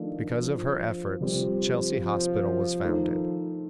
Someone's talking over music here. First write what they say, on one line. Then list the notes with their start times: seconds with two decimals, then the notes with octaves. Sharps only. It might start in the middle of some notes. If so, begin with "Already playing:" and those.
Because of her efforts Chelsea Hospital was founded.
Already playing: D#3 F3 A3 D4
0.39 F3
1.21 C3 F3 G3 C4
2.02 F3
2.83 D#3 A3 D#4